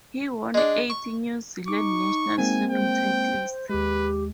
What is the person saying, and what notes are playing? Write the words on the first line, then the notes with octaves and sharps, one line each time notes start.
He won eight New Zealand national swimming titles.
G#3 D4
C#6
D#4 C#6 D6
G#3 A#3 C4 G#5
C5 G5
D#2 G#3 G4 B4